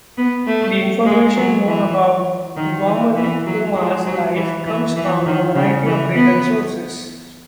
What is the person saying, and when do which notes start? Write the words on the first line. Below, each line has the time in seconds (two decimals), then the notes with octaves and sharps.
The information known about Guaman Poma's life comes from a variety of written sources.
0.17 B3
0.46 A3
1.06 G#3
1.36 F#3
1.66 E3
2.57 D#3
2.86 E3
3.16 E3
3.46 F#3
3.75 G#3
4.06 F#3
4.36 E3
4.66 E3
4.96 E3
5.26 D#3
5.56 C#3
5.86 E3
6.15 B3